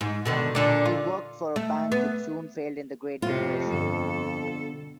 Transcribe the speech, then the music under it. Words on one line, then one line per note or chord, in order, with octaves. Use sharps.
He worked for a bank which soon failed in the Great Depression.
G#2
B2 D3 D#3
A#2 D3 D4
F4
A3
B3
F2 A2 C3 F4
G2 B2 D3 A4